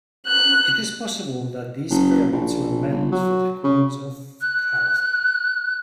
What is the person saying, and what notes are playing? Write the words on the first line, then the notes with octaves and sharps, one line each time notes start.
It is possible that these pyramids were meant for the Queens of Khafra.
F#6
F#1
A#1
G1
F#3
C#3
F#6